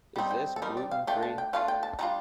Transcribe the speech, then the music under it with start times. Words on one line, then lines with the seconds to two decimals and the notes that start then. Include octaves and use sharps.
Is this gluten-free?
0.16 G3 C4 D#4
0.31 G5
0.56 A4
0.62 G3 C4 D#4 A#4
0.77 D5
0.91 F5
1.07 A3 D4 F4 G5
1.23 A5
1.38 G5
1.53 A3 D4 F4 F5
1.68 G5
1.83 A5
1.99 D#3 G3 D4 F4 A#5